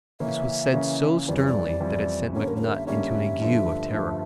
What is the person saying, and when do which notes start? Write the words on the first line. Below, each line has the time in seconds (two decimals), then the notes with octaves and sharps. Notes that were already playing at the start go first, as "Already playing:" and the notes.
This was said so sternly that it sent McNutt into an ague of terror.
0.20 C#3 E3 A#3 C#4 E5
0.74 C#3 E3 A#3 C#4
1.27 F2 E3 G3 D5
1.37 C#5
1.47 D5
1.80 F2 E3 G3
2.34 D3 G3 A#3 C#4 C#5
2.48 A#4
2.56 C#5
2.61 A#4
2.75 E5
2.87 D3 G3 A#3 C#4 E5
3.42 G2 D3 F3 A3
3.94 G2 D3 F3 A3